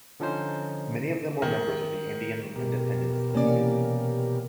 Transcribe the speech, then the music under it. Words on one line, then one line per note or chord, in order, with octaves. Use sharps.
Many of them were members of the Indian Independence League.
D3 F3 C#4 D#4 C5
D#3
B2 G4 A#4
C3 E3 A#3 C#4 D5